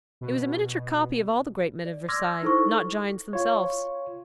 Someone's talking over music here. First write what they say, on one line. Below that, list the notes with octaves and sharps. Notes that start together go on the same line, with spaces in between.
It was a miniature copy of all the great men of Versailles, not giants themselves.
B2
D5
C6 D6 E6 F6 G#6 A#6
D#4 E4 A4 C5 C#6
F4 C#5